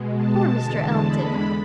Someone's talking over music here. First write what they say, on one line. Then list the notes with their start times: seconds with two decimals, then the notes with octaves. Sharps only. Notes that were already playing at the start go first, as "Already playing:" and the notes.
Poor Mr. Elton!
Already playing: B2 G#3
0.14 A5
0.58 E2 D3 G#3
1.01 B5